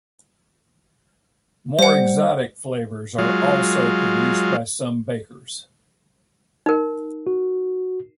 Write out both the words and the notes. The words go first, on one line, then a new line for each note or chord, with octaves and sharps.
More exotic flavours are also produced by some bakers.
G3 C5 F#5
F#3 G#3 F4
D#4 A#4
F#4